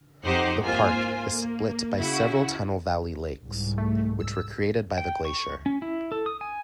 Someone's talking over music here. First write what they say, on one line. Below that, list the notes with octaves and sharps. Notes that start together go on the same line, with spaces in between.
The Park is split by several tunnel-valley lakes, which were created by the glacier.
F2 D#4 G4 C5 F#5
G#2 A#3 F4 C5 G#5
A#3
C#3 E4 F#4
C2 G#2
A3
E6
G5
C#6
C#4
E4
A4
D#6
G#5